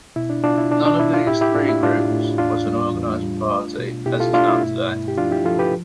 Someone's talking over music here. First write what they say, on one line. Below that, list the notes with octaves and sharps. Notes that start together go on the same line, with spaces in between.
None of these three groups was an organized party as is known today.
B2 E4
D4
B2 D4 F4
E4
B2 D4
D4
B2 E4
D4 F4
A2 E4 G4
E4 G4
A2 D4 F4
E4
A2 D4 F4
A2
E2 D4 F4
G3
E2
G3
A3
B2
B2 E4 G4
F4 A4
A3 D4 F4
E4
G2
G2
G4
F3 D4 F4
E4 G4
F3 F4 A4
G4 B4